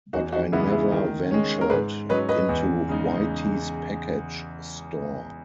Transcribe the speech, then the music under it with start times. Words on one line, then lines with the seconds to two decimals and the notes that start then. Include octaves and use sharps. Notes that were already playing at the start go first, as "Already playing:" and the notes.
But I never ventured into Whitey's package store.
0.13 E2 D#4 F#4
0.32 D#4 F#4
0.52 C#3 E3 G#3 B3 E4 G#4
0.72 E4 G#4
0.92 D#3
1.31 G#3 C#4
1.61 A#4
1.70 G#2 G#4 B4
2.09 F#3 C#4 B4 D#5
2.29 B4 D#5
2.49 E2
2.88 C#3 G#3 D#4